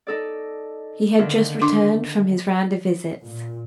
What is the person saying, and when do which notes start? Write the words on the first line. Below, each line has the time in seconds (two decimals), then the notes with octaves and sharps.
He had just returned from his round of visits.
0.07 D#4 A4 D5
1.19 D3 D#3 A#3
1.61 D4 C6 D6
3.22 A#2